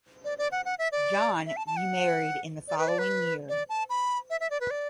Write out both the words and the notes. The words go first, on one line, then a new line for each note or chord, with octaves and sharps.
John remarried in the following year.
D5
D5
F#5
F#5
E5
D5
E5
A5
A5
F#5
D5
B4
D5
B4
D5
A5
B5
E5
E5
D5
B4
D5